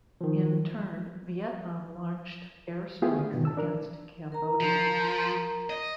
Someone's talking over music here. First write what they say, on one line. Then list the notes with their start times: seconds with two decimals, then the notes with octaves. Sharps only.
In turn, Vietnam launched air strikes against Cambodia.
0.21 D#3 F3
3.02 A3 B3 E4 F4 G4 G#4
3.18 D3
3.33 G#2 B2 D3 D#3
3.45 A5 E6
3.57 D4 A#4
4.32 A#4 A#5
4.60 F3
5.70 D#5